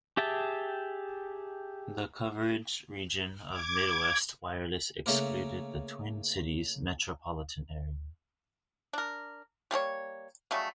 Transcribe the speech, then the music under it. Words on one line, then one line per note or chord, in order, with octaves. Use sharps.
The coverage region of Midwest Wireless excluded the Twin Cities metropolitan area.
G4 G#4 E5 G5 A5
D6 G#6
C#3 A3 A#3 A#4
D4 A#4
G3 A#3 G#4 C#5
C#3 F#3 G3 A3